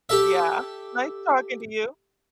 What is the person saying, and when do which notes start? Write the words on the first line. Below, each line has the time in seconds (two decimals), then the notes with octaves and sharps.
Yeah, nice talking to you.
0.09 G4 A4 E5